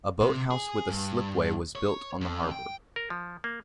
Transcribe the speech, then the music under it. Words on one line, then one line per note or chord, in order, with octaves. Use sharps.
A boat house with a slipway was built on the harbour.
C3
G#4
G2
C#5
F2
G5
A#4
F3
A#3